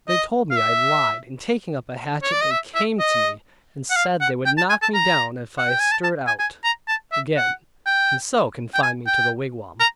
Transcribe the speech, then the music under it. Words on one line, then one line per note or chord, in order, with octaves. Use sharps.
They told me I lied, and taking up a hatchet, they came to me, and said they would knock me down if I stirred out again, and so confined me to the wigwam.
D#5
F5
E5
C#5
D5
D#5
E5
E5
D#5
F#5
F5
F#5
G5
A5
G#5
A5
A#5
F#5
G5
G#5
A5
A5
G#5
G#5
A#5
A5
E5
F#5
G5
G5
G#5
G5
A#5